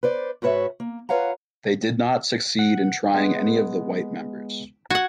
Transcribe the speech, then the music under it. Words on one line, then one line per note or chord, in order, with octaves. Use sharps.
They did not succeed in trying any of the white members.
B4 C5 D5
G#2 F#4 B4 C#5 E5
A#3
F4 B4 C#5 F5 F#5 A#5
F#5
G#3 B3
F#4 F#5 G#6